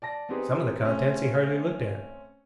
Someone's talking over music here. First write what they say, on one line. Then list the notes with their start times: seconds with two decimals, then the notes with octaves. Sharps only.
Some of the contents he hardly looked at.
0.02 D5 A5 A#6
0.29 B3 C4 D#4 G4 G#4
0.81 A3 C4 C#4